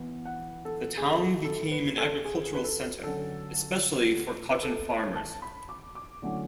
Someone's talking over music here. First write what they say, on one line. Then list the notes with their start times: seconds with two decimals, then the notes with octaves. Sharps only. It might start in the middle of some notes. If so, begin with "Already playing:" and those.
The town became an agricultural center, especially for cotton farmers.
Already playing: E3 B3 E4
0.25 F#5
0.65 A4
0.97 G#4
1.05 A4
1.45 A4
1.71 B4
1.98 A4
2.25 G#4
2.55 B4
2.64 A4
3.03 D3 F#3 C#4 A4
4.50 B4
4.63 A4
4.90 C#5
5.15 A5
5.42 B5
5.69 D6
5.95 D6
6.22 D3 F#3 A3 C#4 E4